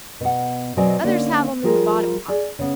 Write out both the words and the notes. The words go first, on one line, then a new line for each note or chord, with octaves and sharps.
Others have 'em in the bottom pocket.
B2 F#5
B2 F#3 C4 D5 D#5 G#5
D3 A#3 C#4 D#4
F3 G3 F4 G#4 A#4
G#4 D5 G#5
C#3 B3